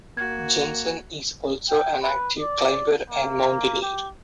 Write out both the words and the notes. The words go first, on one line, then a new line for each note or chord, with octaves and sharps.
Jenssen is also an active climber and mountaineer.
A#3 F#4 G#6
G5
B4
D5
A#3
G4